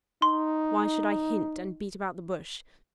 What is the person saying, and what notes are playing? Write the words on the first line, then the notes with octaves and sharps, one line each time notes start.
Why should I hint, and beat about the bush?
D#4 C6